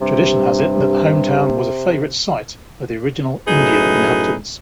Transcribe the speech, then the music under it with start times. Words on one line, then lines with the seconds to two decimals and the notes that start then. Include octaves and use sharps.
Tradition has it that Hometown was a favorite site of the original Indian inhabitants.
0.01 G2 C3
3.48 F#2 A2 D#4 G#4 B4